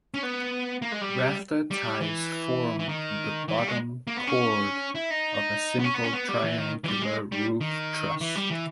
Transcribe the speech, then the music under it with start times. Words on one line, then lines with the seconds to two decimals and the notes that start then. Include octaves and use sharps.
Rafter ties form the bottom chord of a simple triangular roof truss.
0.14 C#4
0.23 B3
0.82 A#3
0.92 G#3
1.01 G3
1.71 G3
2.01 E3
2.79 E3
2.89 D#3
3.48 E3
3.57 G3
3.68 G#3
4.07 A#3
4.17 B3
4.27 C#4
4.95 E4
5.11 D#4
5.79 B3
5.84 C#4
5.94 B3
6.04 C#4
6.13 B3
6.29 G3
6.43 E3
6.58 D#3
6.84 E3
6.88 G3
7.02 G#3
7.32 G3
7.61 D#3
8.21 E3
8.35 G3
8.50 E3